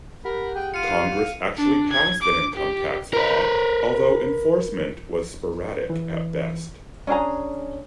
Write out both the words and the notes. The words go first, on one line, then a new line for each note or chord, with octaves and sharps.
Congress actually passed an income tax law, although enforcement was sporadic at best.
G4 A#4 F#5 B5
G#4 G5
F4 F5 C#7 D#7
D4
G#6
D6
G4
A#4 B4
E3
C#4 D4 G#4 A#5